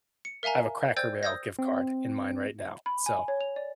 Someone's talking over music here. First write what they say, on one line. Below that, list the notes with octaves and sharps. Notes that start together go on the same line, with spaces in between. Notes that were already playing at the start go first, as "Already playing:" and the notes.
I have a Cracker Barrel gift card in mine right now, so
C#7
A#4 E5 F5 G#5 A#5
C5 D5 G5 E6 G6 G#6
D#6 E6 G6 G#6 A#6
C4
B5
G#5
C#5
F7
D5